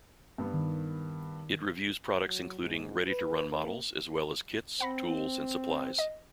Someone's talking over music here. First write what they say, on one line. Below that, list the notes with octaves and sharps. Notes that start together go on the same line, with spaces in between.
It reviews products including ready-to-run models as well as kits, tools and supplies.
G2 B3
D#3
F#3
G#2
B4
A#3
C4 F#5 B5 A#6
D#5